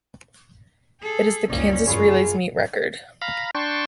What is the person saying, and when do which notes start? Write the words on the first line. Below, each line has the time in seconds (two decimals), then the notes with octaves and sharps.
It is the Kansas Relays meet record.
1.01 G#4 A4
1.50 F#1 C#2 C#4 D#4 D5
1.86 F#2 F4 G#4 C#5 B5
3.22 F5 A#5 B5
3.55 D4 G5 A5 C6 C#6